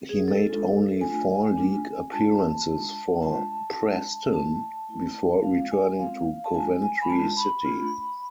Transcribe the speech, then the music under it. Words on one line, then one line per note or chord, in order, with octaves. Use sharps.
He made only four league appearances for Preston before returning to Coventry City.
G#4
A4
G#3 D4 F4
A3 D4 F4 G#5
A3 D4 F4
G#3 D4 F4 A5
G#3 D4 F4
G#3 D4 F4 A5
G#3 D4 F4
A3 E4 A5
A3 E4
G#3 C4 F4 F5
G#5
G#3 C4 F4 F5
A5
G#3 D4 F4 G#5
G#5
B5
G#3 D4 F4 A5
B5
A3 D4 F4